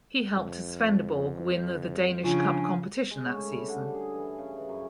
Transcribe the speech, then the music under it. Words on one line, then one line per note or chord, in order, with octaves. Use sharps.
He helped Svendborg win the Danish Cup competition that season.
F2
C#3 F3 D4 G#5
G#3
C#4
A2
G3
D3
G#4
E3
C#3
E3
F#2